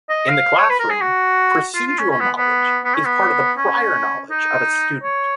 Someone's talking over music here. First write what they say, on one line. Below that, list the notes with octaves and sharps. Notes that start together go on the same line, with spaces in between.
In the classroom, procedural knowledge is part of the prior knowledge of a student.
D#5
F5
C#5
B4
A#4
G#4
F#4
F4
F4
C#4
C#4
B3
B3
B3
C#4
B3
C#4
D#4
C#5